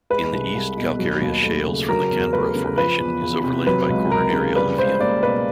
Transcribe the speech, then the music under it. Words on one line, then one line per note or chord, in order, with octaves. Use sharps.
In the east calcareous Shales from the Canberra Formation is overlain by Quaternary alluvium.
G#3 B4
C2
C2
B2
F#3
D#2
A3
C#3
F#3 A#4
E2
A3 B4
C#3
F3 B4
E2
E2
C3
F#3 B4
C#2
C#2 A#4
C#3
G3 B4
C#2 C5
A#3 D5
B2 B4